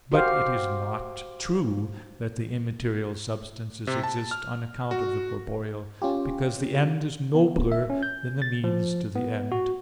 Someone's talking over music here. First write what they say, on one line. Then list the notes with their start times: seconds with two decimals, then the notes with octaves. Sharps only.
But it is not true that the immaterial substances exist on account of the corporeal, because the end is nobler than the means to the end.
0.12 F#4 G4 C5 F5
3.87 C3
4.03 A5
4.31 F6
4.91 F#4
6.02 C#4 F4 G4
7.35 B3
7.72 E5
7.90 C#4
8.03 G6
8.42 A6
8.64 F3
9.15 B3
9.52 F#4